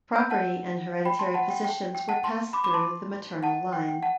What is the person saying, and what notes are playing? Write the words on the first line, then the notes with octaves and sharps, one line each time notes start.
Property and hereditary positions were passed through the maternal line.
E6 G6
F#5 A5
G5 B5
A5 C6
F#5 A5
G5
G5
G5
F#5 A5
A5 C6
B5 D6
B5 D6
A5 C6
F#5 A5
G5
G5
F#5 A5